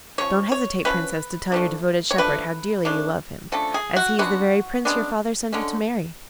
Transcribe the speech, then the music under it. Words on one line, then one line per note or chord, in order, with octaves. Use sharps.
Don't hesitate, Princess, to tell your devoted shepherd how dearly you love him, as he is the very Prince your father sent you to marry.
F3 A3 C#4 C#5
C#5
F3 A3 C#4 B4
F3 A3 D4
C#5
F3 A3 D4 B4
C#3 F3 A3 D4
C#3 F3 A3 D4 A4
G#4
F#4
C#3 G#3 B3 D4 F#4
C#3 G#3 B3 D4
D3 G#3 C#4